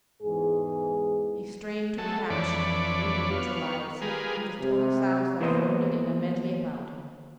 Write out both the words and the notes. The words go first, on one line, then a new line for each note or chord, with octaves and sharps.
He strained to catch, to individualise the tone sounds that floated in a medley about him.
E2 G#2 G#4
F#3 G#3 A3 A4
F2 E3 D4 C#5 D5 B5
B3 F5 C#6
G3 G#3 F4 G#4 A#4 B4
C3
E3 A#3 B3 C5 D#5